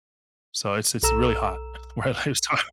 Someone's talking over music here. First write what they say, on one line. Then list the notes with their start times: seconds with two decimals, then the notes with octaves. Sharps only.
so, it's it's really hot where I live, so
1.03 B1 A4 A#5 E6 E7